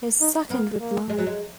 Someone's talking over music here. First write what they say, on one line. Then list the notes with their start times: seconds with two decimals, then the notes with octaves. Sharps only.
His second reply.
0.21 D#4
0.50 A#3 B3
0.80 A#3
1.10 G#3
1.18 F#3
1.26 G#3